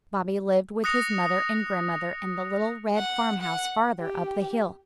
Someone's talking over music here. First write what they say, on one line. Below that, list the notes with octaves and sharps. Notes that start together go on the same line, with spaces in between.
Bobby lived with his mother and grandmother in the little red farmhouse farther up the hill.
D#6 F#6 A#6 C#7 F7
F#5
F#5
G4